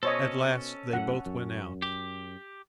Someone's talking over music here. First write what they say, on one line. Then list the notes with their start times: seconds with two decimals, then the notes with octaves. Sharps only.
At last they both went out.
0.03 B2 C#4 A4 C5 C#5 D#5
0.93 F#2 A2 F#5
1.26 F#2
1.82 G4